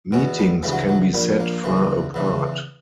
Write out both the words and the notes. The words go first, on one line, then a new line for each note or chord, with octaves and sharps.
Meetings can be set far apart.
E2 B2 C#4
G3
D2 C#3 E3 G3
F#3
F#3
A#1 A#2 G3
A#3
D2 C#3 E3
E2 C#3 E3